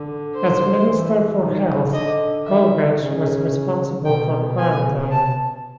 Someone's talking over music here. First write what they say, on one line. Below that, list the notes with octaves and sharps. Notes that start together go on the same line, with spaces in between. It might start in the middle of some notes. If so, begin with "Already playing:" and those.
As minister for health, Colebatch was responsible for quarantine.
Already playing: D3
C5
E3
D#3
D3 D#5
D#3 E5
C#3
B2 G5
G#5
A5